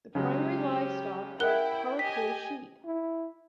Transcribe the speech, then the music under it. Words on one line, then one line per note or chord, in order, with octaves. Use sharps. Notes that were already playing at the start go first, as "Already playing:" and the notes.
The primary livestock are Karakul sheep.
C#3 F#3 G#3 C#4 G4
E4 A#4 F#5 G5 F#6 G7
G4 D#5 G#5 B6
E4